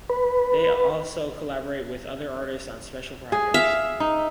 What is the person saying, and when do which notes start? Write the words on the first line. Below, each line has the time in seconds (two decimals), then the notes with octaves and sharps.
They also collaborate with other artists on special projects.
0.10 B4
3.32 G#4
3.54 E5 F5
4.00 D#4